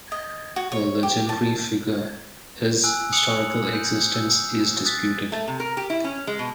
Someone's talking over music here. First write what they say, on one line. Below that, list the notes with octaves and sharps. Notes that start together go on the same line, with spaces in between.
A legendary figure, his historical existence is disputed.
D#5
F#4
C#5
G4
A5
G#5 E6 F#6
D#6 C#7 F7 F#7
G6
E6
D#6 F#6 A6 B6
A3
C3
A#4
G4
E4
C#4
G#3
B2